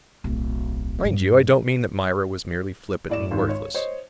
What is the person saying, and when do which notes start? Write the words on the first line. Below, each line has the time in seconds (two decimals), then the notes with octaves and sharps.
Mind you, I don't mean that Myra was merely flippant and worthless.
0.24 D1 B1
1.03 G2 G3
3.09 A2 D5 E7
3.31 G#1 C#2 D#3
3.49 C#5
3.74 C5 C#5 D#5